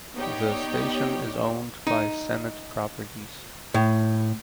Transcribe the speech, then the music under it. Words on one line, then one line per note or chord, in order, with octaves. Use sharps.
The station is owned by Senate Properties.
B3 D#4 G4 C#5 D5 G5
D#4
A2